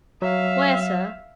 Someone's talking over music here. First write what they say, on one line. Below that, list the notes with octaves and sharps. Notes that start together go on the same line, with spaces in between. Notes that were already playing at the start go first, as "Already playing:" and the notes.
"Where, sir?"
F#3 E5 F5